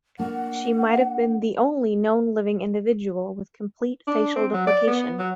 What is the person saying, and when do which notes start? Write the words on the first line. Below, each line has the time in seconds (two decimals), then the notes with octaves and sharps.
She might have been the only known living individual with complete facial duplication.
0.19 A#3 D4 F#5
4.07 D4
4.36 C4
4.53 F#3
4.67 D5
4.87 B3
5.19 F#3